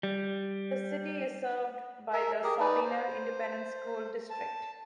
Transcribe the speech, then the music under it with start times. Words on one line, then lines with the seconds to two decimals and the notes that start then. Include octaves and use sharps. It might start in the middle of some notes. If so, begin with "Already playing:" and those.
The city is served by the Sabinal Independent School District.
0.03 G3
2.13 A#4 E5
2.44 G4 G#4 A#4
2.60 D#4 B4 D5
2.84 C5
4.30 A5